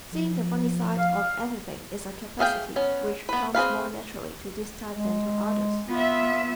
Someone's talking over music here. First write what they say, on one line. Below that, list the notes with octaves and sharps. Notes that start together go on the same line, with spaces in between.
Seeing the funny side of everything is a capacity which comes more naturally to this type than to others.
F3
F5
A3 G#4 F5 G5
B3 C#4
B3 B4
C4 G#4 B4 F5
G#3
B3 F4 E5